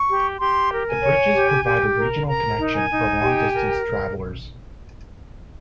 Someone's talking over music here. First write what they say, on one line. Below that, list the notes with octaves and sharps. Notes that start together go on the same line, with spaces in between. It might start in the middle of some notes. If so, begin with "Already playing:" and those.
The bridges provide a regional connection for long-distance travelers.
Already playing: C#6
G4
G4 C6
A#4
G#5
C#5
G4
G4
A#4
A#4 A#5
D#4
G#5
D#4
G4
A#4